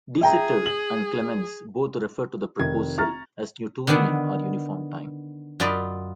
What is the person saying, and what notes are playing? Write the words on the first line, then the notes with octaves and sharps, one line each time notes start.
De Sitter and Clemence both referred to the proposal as 'Newtonian' or 'uniform' time.
G#4 E5 G5 A#5
F#7
F1 D#3 G#6
A#5 C#6 F6 A6
D3 D#3 B3 D4
F#2 F4 D5 D#5 B5